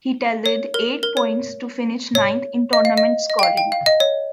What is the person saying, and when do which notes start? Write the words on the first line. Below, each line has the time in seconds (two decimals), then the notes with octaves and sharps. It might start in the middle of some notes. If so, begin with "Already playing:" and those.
He tallied eight points to finish ninth in tournament scoring.
0.46 C#5
0.74 A#4
1.03 A#4
1.17 C#5
2.15 C#5
2.73 D#5
2.85 F5
2.97 D#5
3.30 D#5
3.39 G5
3.43 F5
3.57 G5
3.72 F5
3.86 D#5
4.00 C#5